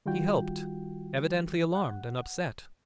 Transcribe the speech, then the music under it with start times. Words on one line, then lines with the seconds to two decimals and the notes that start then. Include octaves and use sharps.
He helped, evidently alarmed and upset.
0.06 D#3 G3 F4 F#4 G5
1.75 F#5